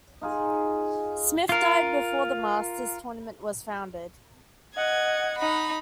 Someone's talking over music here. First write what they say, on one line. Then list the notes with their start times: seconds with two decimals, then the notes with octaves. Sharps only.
Smith died before the Masters Tournament was founded.
0.21 D#4 F4 G#4
1.49 F4 A#4
4.77 D#5 F#5 G#6
5.38 D#4 B5